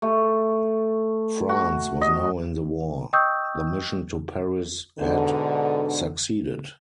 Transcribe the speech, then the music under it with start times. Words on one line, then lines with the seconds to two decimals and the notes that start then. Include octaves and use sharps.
France was now in the war; the mission to Paris had succeeded.
0.02 A3
1.49 F#4
2.01 D#5
3.13 D#5 G5 C#6 D#6 E6 G6
4.99 G#2 B2 D3